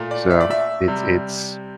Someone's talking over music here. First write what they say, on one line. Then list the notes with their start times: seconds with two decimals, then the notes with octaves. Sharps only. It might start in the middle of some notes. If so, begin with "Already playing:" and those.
So, it's it's
Already playing: A#2 A3
0.11 D5
0.30 E5
0.41 D5
0.51 E5
0.88 C3 G3